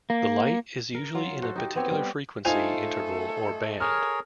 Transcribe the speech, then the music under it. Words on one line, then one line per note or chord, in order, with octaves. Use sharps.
The light is usually in a particular frequency interval or band.
A#3
A#4
F#3 F4
F#4 A4 C5
D#4 G4
B3 C4 G4 C#5
G3 D5
A3 D#4 F4 A4 C5 G#5 F7
G#4 A#4 C#5 F6